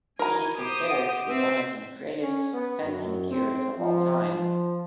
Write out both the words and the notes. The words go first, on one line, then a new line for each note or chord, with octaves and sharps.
He is considered to be one of the greatest fencing theorists of all time.
D#4 F#4 A#4 G#5 A#5 B5
G4 C5 D#6
E5 F#5 G#5
C4 B4 E5
C#4
B3
F#2
C4
F3
F3